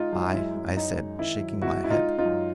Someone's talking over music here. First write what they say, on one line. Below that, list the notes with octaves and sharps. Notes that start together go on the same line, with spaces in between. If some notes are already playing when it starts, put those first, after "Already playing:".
"Aye!" I said, shaking my head.
Already playing: G#3 D#4 F4
F#2
G#3 E4
F#2
F#2 D#4
G#3
D#3 E4
F#2
G#3 E4 F#4
G#3 E4
D#4 F4
G#3
D#4 F4
F#2